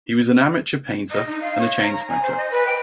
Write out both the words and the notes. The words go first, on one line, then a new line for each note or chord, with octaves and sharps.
He was an amateur painter and a chain smoker.
D#5
D#4
F5
C#5
A#5
G#5
C5
D#5
B4
G5